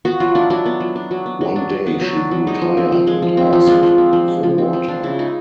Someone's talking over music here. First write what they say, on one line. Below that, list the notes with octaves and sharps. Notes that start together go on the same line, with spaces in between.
One day she grew tired, and asked for water.
B3 F#4
F#3 F4
D4 E4
F#3 D4
B3
F#3
D4
F#3
B3
F#3
D4
F#3
B3
F#3
D4
F#3
G#3 D#4
F3
C4
F3
G#3
F3
C4
F3
G#3 D4
F3
C4
F3
G#3
F3
C4
F3
F3 D4
C#3 E4
G#3 D#4